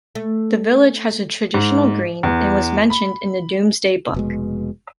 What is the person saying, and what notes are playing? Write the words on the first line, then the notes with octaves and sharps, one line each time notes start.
The village has a traditional green and was mentioned in the Domesday Book.
A3
G#2
E2
B5
F1 B2 G#3